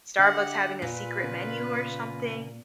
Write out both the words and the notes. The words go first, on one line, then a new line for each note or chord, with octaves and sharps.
Starbucks having a secret menu or something,
D3 G4 E5 F#5
A#2 F4 B4
C#3 A#3 B3